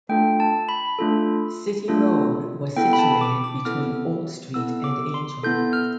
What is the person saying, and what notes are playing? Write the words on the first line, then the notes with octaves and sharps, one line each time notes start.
City Road was situated between Old Street and Angel.
A3 D4 F4 A4 G5
A5
B5
A3 D4 F4 A4
A3 D4 F4 A4
B3 E4 A4 G5
B5
A5
D6
D6
B3 E4 A4 F6
B3 E4 A4 E6
D6
C6
B3 E4 A4 G6
F6